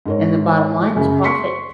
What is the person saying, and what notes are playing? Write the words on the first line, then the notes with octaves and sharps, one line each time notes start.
and the bottom line is profit.
G#2 A#4 C#5
F#2 C#3
C6 C#6 B6 C#7